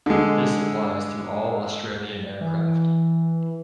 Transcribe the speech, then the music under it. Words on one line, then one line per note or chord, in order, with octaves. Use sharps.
This applies to all Australian aircraft.
D3 G#3
E3